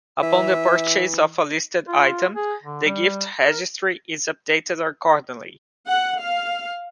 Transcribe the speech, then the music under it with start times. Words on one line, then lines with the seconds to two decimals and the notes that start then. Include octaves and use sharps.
Upon the purchase of a listed item, the gift registry is updated accordingly.
0.23 E3 E5
1.88 F4
2.36 G#4
2.63 D3
2.85 G3
3.46 A#4
5.88 F#5
6.21 F5